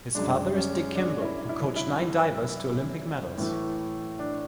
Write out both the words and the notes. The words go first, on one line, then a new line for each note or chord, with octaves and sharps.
His father is Dick Kimball, who coached nine divers to Olympic medals.
F#2 C#3 G#3 D4
C#4
D4
E4
E4
E4
A2 E3 A3
D4